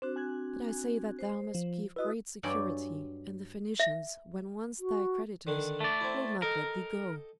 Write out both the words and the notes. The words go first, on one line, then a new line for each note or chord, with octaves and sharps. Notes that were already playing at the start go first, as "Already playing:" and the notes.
But I say that thou must give great security, and the Phoenicians, when once thy creditors, will not let thee go.
C4 D4 F#4 C5
G#5 F#6 G#6
C5
F3
E4 F#4 B4 D#5 D#6
G2 F#3 D5 G5 G#5 B5
E5 A#6
F#4
D3 D#3 D4
A3 D5
C4 E4
A4 A#4 D#5 G5